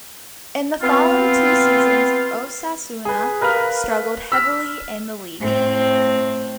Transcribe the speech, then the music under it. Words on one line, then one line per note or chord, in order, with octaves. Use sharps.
In the following two seasons, Osasuna struggled heavily in the league.
B3 C4 F4
G#4 B4
A#4 B4 F5 B5 F6
E6 F6 B6
A2 C4